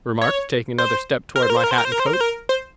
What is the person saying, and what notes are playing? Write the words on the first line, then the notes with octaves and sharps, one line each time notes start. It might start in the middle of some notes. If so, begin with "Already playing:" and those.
I remarked, taking another step toward my hat and coat.
C#5
C5
A#4
C5
A#4
C5
A#4
C5
A#4
C5
A#4
C5
A#4
C5
A#4
C5